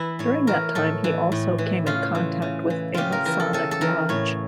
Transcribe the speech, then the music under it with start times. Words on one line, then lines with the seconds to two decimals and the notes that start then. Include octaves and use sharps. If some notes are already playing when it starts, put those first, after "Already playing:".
During that time he also came in contact with a Masonic lodge.
Already playing: E3 E4
0.19 A2 C#5
0.47 E3 A#4
0.75 A2 A4
1.04 E3
1.32 A2
1.58 E3
1.86 C#3 F4
2.15 E3
2.42 C#3
2.70 E3
2.94 C#3 F4 G4
3.12 A#4
3.25 E3 A#4
3.40 A4
3.53 C#3 A4
3.71 A4
3.81 E3 A#4
4.09 A2 C#5